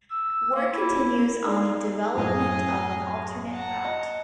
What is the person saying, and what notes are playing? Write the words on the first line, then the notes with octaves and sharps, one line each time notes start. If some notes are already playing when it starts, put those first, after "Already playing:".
Work continues on the development of an alternate route.
E6
A#3
E4
D#4 G#4 D5 F5
F#2 A2 G#4 D#5 F5
F#5 A5 A#5
D#5